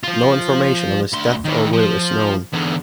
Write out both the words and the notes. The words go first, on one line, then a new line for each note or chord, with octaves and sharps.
No information on his death or will is known.
F3 F4
D2 C6
D#3 E3
F3
E2 D3